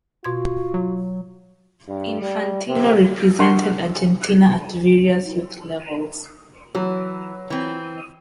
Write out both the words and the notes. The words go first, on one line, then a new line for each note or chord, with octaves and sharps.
Infantino represented Argentina at various youth levels.
B2 F4 F#4 C6 G#6
F#3
G2
G3
C3
D4 A#4 F#5 C6 C#6
E3 F#3
E3 C4